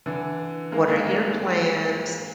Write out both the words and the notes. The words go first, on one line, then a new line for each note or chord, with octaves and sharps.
What are your plans?
D3 E3
G#3 A#3
G#3 A#3
G#3 A#3